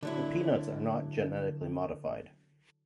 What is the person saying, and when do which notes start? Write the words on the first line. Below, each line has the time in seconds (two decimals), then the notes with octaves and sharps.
The peanuts are not genetically modified.
0.03 D3 F#3 E4